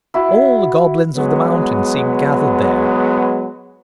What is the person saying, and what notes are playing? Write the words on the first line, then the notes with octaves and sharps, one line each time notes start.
All the goblins of the mountain seemed gathered there.
E4 F#4
F#3 G#3 B3